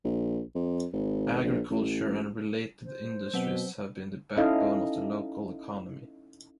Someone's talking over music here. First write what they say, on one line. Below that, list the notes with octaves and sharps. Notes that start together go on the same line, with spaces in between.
Agriculture and related industries have been the backbone of the local economy.
A#1
F2
G#1
A#1
A1
C5
B2 F#3 C4 F#5 G7
C#4 D#4 E4 A4 D#5 F5